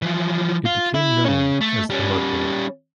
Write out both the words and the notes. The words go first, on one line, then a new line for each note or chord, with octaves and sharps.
It became known as "The Mud Bowl".
E3 F3
F4
E4
C#3 C#4
A3
G3 C#4